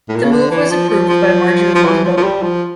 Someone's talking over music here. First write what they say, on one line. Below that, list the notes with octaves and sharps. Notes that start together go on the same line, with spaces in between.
The move was approved by a margin of one vote.
A2
A#2
C#3
D3
E3
F3
F3
F3
F3
E3
F3
F3
G3
F3